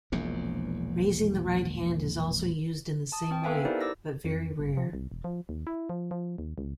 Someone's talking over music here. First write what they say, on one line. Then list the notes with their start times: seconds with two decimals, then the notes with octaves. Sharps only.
Raising the right hand is also used in the same way but very rare.
0.12 E1 A#1 E2 A#2
3.12 A5 D#6
3.31 C4 G5
3.43 B3 A4 B4 E5 F5 G#5
3.65 D#4 E4 G4 A#4 C5 D5
3.81 D6 E6 A#6
4.25 F2
4.60 G1
4.77 F3
4.93 C2
5.12 E1
5.24 F3
5.49 D#2
5.67 E4
5.89 F3
6.11 F3
6.38 D#2
6.58 C#2